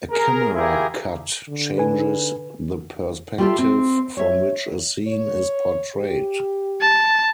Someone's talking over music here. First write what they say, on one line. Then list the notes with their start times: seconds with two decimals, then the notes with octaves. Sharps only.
A camera cut changes the perspective from which a scene is portrayed.
0.11 G#4 A#4
0.54 E4 F4 G4 G#4 A#4
1.49 D3
1.78 B4 G#5
3.38 G3 E4 F4 G4 A4 E5
3.59 C4
4.17 C#5 E5
5.07 C#5
5.96 G4
6.81 A5